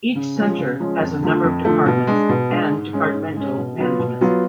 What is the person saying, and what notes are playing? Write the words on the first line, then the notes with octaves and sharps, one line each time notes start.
Each centre has a number of departments and departmental managements.
C#3
F3 G#3 C#4
C#3
F3 G#3 C#4
F2
D3 F3 A3
F2
D3 F3 A3
B2
G#3 D4
B2
G#3 D4
G#2
G#3 C#4
G#2
G#3 C#4
B2
F#3 B3 F4
B2
F#3 B3 F4